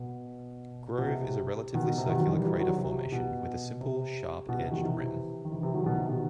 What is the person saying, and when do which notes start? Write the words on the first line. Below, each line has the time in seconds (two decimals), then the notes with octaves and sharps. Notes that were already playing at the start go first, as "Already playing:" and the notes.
Grove is a relatively circular crater formation with a simple, sharp-edged rim.
Already playing: B2
0.98 B2
1.06 C3
1.74 B2 D#3
1.87 B2
1.98 C3
2.08 B2 D#3
2.20 D#3 F#3
2.31 E3 G3
2.43 E3 G3
2.60 D#3 F#3
2.78 C3
3.12 B2
3.81 C3
4.49 B2
4.61 C3
4.71 B2 D#3
4.83 C3 E3
5.45 D#3
5.51 C3 E3
5.62 C3 E3
5.74 D#3 F#3
5.86 B2 D#3
5.97 C3
6.08 B2 D#3